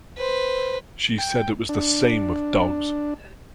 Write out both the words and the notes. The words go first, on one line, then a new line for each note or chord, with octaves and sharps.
She said it was the same with dogs.
B4 C5
G5
D4